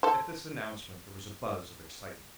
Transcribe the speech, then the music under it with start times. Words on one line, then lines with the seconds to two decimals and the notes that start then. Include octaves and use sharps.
At this announcement there was a buzz of excitement.
0.03 A4 C5